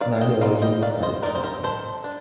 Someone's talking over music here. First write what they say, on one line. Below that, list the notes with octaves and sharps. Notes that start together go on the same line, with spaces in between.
Neither origin is satisfactory.
D#3 D5 F5
F5
D#5 G5
G3 C4 D#4 D5 F5
D#5 G5
D#3 D5 F5
C5 D#5
G3 C4 D#4 A#4 D5
C5
G4 A#4
D#3 A4 C5
D4